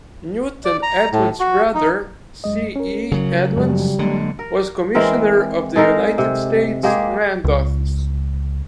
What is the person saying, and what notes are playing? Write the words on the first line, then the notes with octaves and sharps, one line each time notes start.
Newton Edmunds' brother, C. E. Edmunds, was Commissioner of the United States Land Office.
D5
A#5
A2
F#4
D#4
F#2 G#3 D#5
C#4 A#4
C#3 F#3
F#2 F3 G3 G#3
D3 F#3 G#3 A#3
A#4
E3 G#3 C4 A#4
G#3 D#4 A4 A#4
C3
G#3 A#3 G4 G#4
C#2